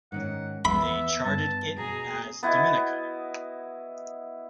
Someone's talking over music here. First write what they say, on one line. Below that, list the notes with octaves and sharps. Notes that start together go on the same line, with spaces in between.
They charted it as "Dominica".
G#2 D#3 C#4 F#5
E2 B3 E5 B5
G2 A5
B2 G#4 A#5
B3 E4 F#4 D#5